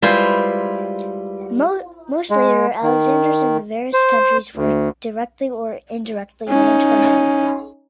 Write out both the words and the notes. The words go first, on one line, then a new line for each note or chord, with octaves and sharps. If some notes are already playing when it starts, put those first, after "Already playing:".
Most later Alexanders in various countries were directly or indirectly named for him.
G3 G#3 E4 F4 B4 C5
G#3
D#3
C5
D2
C#4 D#4